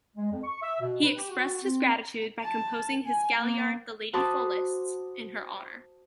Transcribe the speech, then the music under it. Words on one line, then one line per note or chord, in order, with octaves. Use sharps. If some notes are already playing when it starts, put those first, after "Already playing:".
He expressed his gratitude by composing his "Galliard, The Lady Folliot's" in her honour.
G#3
F2
C#6
E5
B2
B4
G4
F#4
C4
A5
G#5
A#3
F#4 C5 A5 B5 D6 D#6